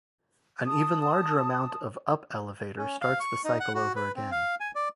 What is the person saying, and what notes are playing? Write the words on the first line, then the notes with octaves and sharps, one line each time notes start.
An even larger amount of up elevator starts the cycle over again.
A5 D#6
C#4
F5
C#6
D#4
F#5
F#4
B4
C4
F5
G#5
D5